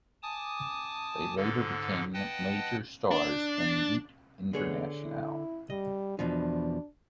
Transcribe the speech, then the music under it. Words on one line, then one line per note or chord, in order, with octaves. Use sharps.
They later became major stars in Lutte Internationale.
G#5 A5 D6 D#6
G#2 D3 A4
B4 D#5 F#5 G5 A5
D4
D3 B3 G#4 C#5
E4
G3 D#5
E2 B2 F3 D4